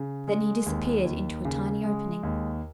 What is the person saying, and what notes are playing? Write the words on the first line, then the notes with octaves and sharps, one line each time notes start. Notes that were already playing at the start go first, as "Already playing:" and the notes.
Then he disappeared into a tiny opening.
Already playing: C#3
G#3
D#2
D#2
C#3
G#3
D#2